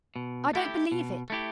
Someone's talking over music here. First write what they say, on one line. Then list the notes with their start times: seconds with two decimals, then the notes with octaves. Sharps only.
I don't believe it!
0.16 B2
0.53 A3 E4 G4
0.92 B2
1.30 A3 E4 G4